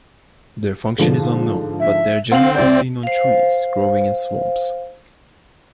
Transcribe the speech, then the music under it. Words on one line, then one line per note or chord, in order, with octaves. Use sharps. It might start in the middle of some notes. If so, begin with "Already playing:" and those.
Their function is unknown, but they are generally seen on trees growing in swamps.
G#2 D3 F3
E5
C4 F5 F#5 F#7
C2 D5 G6
C5 F5